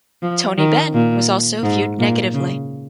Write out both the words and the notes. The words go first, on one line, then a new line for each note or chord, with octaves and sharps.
Tony Benn was also viewed negatively.
F3
D#3
A#2
G#2
A#2
C#3